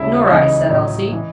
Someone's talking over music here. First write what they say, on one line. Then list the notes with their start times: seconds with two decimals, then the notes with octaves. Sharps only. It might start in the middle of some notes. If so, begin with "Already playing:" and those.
"Nor I," said Elsie.
Already playing: E1 D#2 C#3 E4 E5
0.25 C#5
0.28 C#2 C#3 E3 D#4 D#5
0.70 A1 A2 F#3
1.12 E3